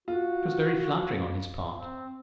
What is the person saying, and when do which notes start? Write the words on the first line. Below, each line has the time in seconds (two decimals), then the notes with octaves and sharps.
It was very flattering on his part.
0.08 F4 F#4
1.77 C4